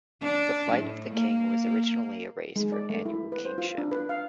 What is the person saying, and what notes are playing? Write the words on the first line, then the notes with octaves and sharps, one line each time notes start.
The Flight of the King was originally a race for an annual kingship.
D4
A2
A#3
G#3
D5
A3
E4
B4
C5
F4
D4
B4
F5